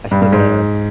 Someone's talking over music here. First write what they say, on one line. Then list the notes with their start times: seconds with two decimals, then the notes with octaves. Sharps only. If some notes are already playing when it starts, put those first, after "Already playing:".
I still gotta
0.11 G2
0.22 G2
0.32 G#2